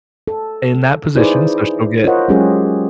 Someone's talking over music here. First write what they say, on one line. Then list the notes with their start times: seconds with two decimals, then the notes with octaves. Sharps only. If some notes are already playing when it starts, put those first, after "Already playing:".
in that position, so she'll get
0.28 A4
1.15 D#4 E4 G#4 B4 C5 D5
2.04 F4 A#4 C5 C#5 D#5 F#5
2.28 F#3 G#3 C#4 F4 G4 G#4